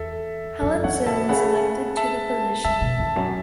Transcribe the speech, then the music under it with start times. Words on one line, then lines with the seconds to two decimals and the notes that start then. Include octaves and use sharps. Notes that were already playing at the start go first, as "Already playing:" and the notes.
Helen Zille was elected to the position.
Already playing: E2 A4 E5
0.61 F#2 A4
0.84 E3 C#5 F#5
1.06 B2 E5 A5
1.29 C#3 F#5 B5
1.97 E5 A5
2.65 C#3 E5 A5
2.82 B2
2.99 E2
3.16 F#2